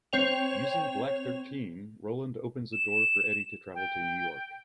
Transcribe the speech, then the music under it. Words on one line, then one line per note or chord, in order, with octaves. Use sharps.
Using Black Thirteen, Roland opens a door for Eddie to travel to New York.
C4 C#5 G5 F7
E7
G5